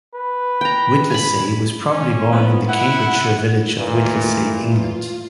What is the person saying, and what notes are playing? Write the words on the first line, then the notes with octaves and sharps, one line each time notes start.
Whittlesey was probably born in the Cambridgeshire village of Whittlesey, England.
B4
G5 A#5
G#5 B5
C#4
F3 B3
E4 F#5
D#2 A#2 E3 A3
F4